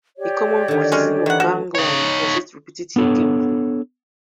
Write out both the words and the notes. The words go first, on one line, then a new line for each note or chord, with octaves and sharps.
A common criticism of Gangland was its repetitive gameplay.
G4 C#5 D5
D3 D#3
G#3 C#4
D#3 E3 F#5
A3 F#4
D#4 C#5
B3 D4 A4 C#5